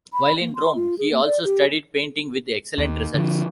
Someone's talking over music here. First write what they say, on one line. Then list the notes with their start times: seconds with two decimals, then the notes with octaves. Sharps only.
While in Rome he also studied painting with excellent results.
0.13 B5
0.41 A#3
0.55 C6
0.75 F4
0.98 G#4
1.11 A#3
1.26 D5
1.45 G4
2.78 D#2
3.14 D3 F3